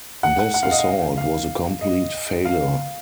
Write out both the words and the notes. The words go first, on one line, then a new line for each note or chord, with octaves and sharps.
This assault was a complete failure.
F#5
F#5
F#5
F5
D#5
F5
F5
D#5
F5